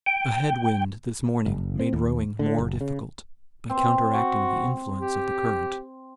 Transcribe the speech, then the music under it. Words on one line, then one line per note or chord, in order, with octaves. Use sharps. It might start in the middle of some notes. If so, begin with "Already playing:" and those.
A head wind this morning made rowing more difficult, by counteracting the influence of the current.
G5
F#1
C4
D#2
D3
F#1
C#3
C4
F#4
G4